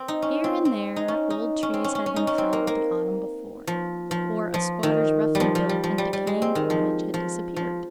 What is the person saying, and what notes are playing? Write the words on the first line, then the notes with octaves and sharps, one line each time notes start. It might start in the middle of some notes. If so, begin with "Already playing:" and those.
Here and there old trees had been felled the autumn before; or a squatter's roughly-built and decaying cottage had disappeared.
Already playing: C4
D#4
C#4
C4
C4
D#4
C#4
D#4
C#4
C4
C#4
C#4
C#4
D#4
C#4
C4
A#3
A#3
F3
F3
F3
D#3
G3
F3
F3
G3
F3
G3
G3
G#3
C4
D#3
F3
F3
F3